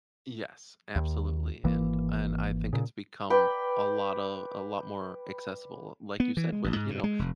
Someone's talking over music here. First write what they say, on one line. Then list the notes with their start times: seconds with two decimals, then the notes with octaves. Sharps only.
Yes, absolutely, and and I think it's become a lotta a lot more accessible, like you said, with, you know,
0.96 D#2
1.64 G#1 E3 A#3
2.73 A#2 C#3
3.30 B4 D5 G5
6.20 B3
6.37 E3
6.52 G#3
6.64 A1
6.76 G#2
6.90 G2
7.04 G#3
7.19 F1